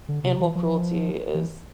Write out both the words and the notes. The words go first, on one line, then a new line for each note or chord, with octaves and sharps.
animal cruelty is
D3
C3
E3
F3
E3